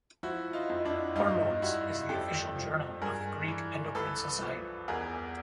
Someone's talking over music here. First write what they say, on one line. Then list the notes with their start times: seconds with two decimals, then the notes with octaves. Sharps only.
Hormones is the official journal of the Greek Endocrine Society.
0.23 F3 E4 F#4
0.53 D#4 F4
0.70 F2
0.85 D4 E4
1.16 G2 D#4 F4
1.62 G2 E4 F#4
2.09 F2 G4 A4
2.56 F3
3.02 G2 G#4 A#4
3.48 E3
3.95 C2 A4 B4
4.41 F3
4.88 E2 G#4 A#4